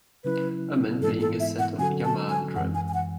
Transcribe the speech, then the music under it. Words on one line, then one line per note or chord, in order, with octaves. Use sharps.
A man playing a set of Yamaha drums.
C#3 F#3 C#4 E4 B4
G#2 E3 G#3 B3 E4 A4
A4
E5
F#5
D3 F#3 C#4 F#4 A4 G#5
A5
G#5
F#2 E3 G#3 F#5
G#5
G#5
F#5